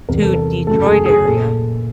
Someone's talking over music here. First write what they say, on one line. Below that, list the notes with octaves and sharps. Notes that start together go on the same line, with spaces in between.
to Detroit area,
E2 C3 E3 G3 C4 A#4
A4
A#4
F#2 C#3 F#3 A3 A4
G#4
G#4
A#2 A4